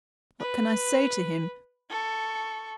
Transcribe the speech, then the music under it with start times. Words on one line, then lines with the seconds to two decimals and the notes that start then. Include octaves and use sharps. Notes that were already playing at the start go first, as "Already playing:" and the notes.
What can I say to him?
0.40 B4
1.90 A4 C#6